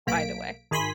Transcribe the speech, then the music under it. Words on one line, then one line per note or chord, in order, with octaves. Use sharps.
find a way.
B1 A#3 B6 D7
G#1 D#3 G#5 B5 C6 B6